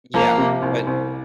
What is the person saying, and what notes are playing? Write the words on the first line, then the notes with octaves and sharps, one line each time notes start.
Yeah, but
F3 A#3
C3
C2
C2